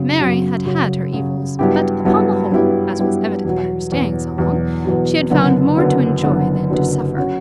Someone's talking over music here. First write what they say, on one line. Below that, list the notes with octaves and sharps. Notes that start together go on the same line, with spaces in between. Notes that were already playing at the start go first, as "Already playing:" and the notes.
Mary had had her evils; but upon the whole, as was evident by her staying so long, she had found more to enjoy than to suffer.
Already playing: F#2 C#3 F#3
F#2 C#3 F#3
F#2 C#3 F#3
F#2 C#3 F#3
G2 F#3 B3 E4 G4
G2 F#3 B3 E4 G4
G2 F#3 B3 E4 G4
G2 F#3 B3 E4 G4
E2 B2 F#3
E2 B2 F#3
E2 B2 F#3
E2 B2 F#3
F#1 F#2 D3 F#3 B3
F#1 F#2 D3 F#3 B3
F#1 F#2 D3 F#3 B3
F#1 F#2 D3 F#3 B3
F#3 C#4 F#4